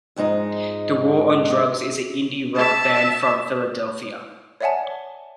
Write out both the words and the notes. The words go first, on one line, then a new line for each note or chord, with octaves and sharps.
The War on Drugs is an indie-rock band from Philadelphia.
F2 G#2 G#3 D#4
E5 A5
C#5 D5 E5 F#5 G#5 A5